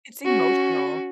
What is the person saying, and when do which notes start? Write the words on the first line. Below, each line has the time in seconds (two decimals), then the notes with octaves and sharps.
It's emotional.
0.25 C#4 F#4